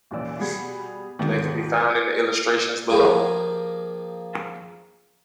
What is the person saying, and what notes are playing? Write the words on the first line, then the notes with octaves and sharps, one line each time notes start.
They can be found in the illustrations below.
D#2 A#2 E3 C#4 D5 E6
B2 G3 G#4 F#5 B5 G#6
D#2 G#2 B2 D3 D#3
F3 A#3 G4 G#4 D#5